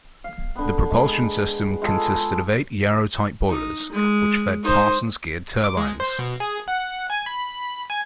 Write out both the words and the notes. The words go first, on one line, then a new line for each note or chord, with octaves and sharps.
The propulsion system consisted of eight Yarrow-type boilers, which fed Parsons geared turbines.
F5
D3 B3
G#3 B4
G#3 F4 G#4 A4
D#4
G#3
D#4 C5
D6
G#3
C5
B2
G#4
F#5
G#5
B5
G#5